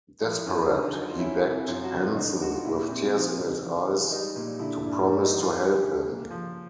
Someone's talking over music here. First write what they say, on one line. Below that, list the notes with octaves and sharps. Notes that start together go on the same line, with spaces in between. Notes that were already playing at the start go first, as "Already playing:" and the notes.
Desperate, he begged Henson, with tears in his eyes, to promise to help him.
F3 E4
F#2
D3 D#4
F#3
F4
C#4 E4
C3
F#2 F4
F#4
D3
F4
D3 D#4
G#3 F#4
F4
A#2 E4
C4
F3 D#4
C#3
E3
G#3
G3 D#4
A#2
D3 E4
G2
G3
D#4
E3
F4
G#3
G4
C#3
A#3
F3